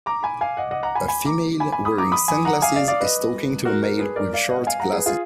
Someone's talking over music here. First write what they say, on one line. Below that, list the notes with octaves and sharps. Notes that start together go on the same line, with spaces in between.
A female wearing sunglasses is talking to a male with short glasses.
A#5 D6
G#5 B5
F5 G#5
D#5 F#5
D#5 F#5
F#5 A#5
G#5 B5
G#5 B5
A#5 D6
G#5 B5
G#5 B5
B5 D#6
A#5 D6
B5 D#6
G#5 B5
F#5 A#5
F5 G#5
D5 F5
D5 F5
B4 D#5
F#4 A#4
F#4 A#4
G#4 B4
A#4 D5
D5 F5
D#5 F#5
F5 G#5
F#5 A#5
G#4 B4
F4 G#4